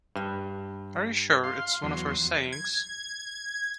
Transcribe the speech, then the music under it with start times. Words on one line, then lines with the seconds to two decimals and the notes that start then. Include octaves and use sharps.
Are you sure it's one of her sayings?
0.16 G2
1.44 F5 C6
1.83 E2 F#3 C6
2.53 G#6